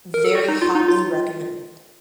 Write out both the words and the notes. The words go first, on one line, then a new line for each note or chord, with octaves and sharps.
Very hotly recommended.
A#4
A4
F#4
D#4
F4
D#4
F4